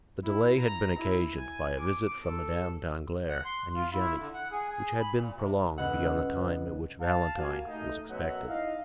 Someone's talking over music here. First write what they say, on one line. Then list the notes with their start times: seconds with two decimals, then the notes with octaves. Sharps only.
The delay had been occasioned by a visit from Madame Danglars and Eugenie, which had been prolonged beyond the time at which Valentine was expected.
0.23 E4
0.57 A#5
0.98 E4
1.36 G#5
1.79 D6
2.23 A4
3.29 F#5
3.45 C6
3.75 F4
3.93 E4
4.18 D3
4.34 F#5
4.51 G#4
4.69 G#4
4.99 B5
5.13 A#2
5.35 C3
5.77 G1 C#2 B4 D#5 F#5 E6
7.01 F5 A5
7.37 A#3 F#4 G4 A#4 F5 G#5
7.66 A3 D#4
8.09 F#2 B2 F#3 E5 F#5
8.47 D#4 E4 D#5 F5